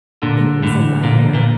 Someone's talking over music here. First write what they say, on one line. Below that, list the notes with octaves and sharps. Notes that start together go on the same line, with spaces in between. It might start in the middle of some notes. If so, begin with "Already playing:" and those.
it was a nightmare.
A#2 D3
A2 D3
A#2 D3
A#2